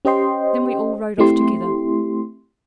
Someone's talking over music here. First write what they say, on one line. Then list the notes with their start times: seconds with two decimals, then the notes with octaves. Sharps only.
Then we all rode off together.
0.05 C#4 G4 C5 D#5 G5 C6
1.18 A3 C4 E4 G4 C6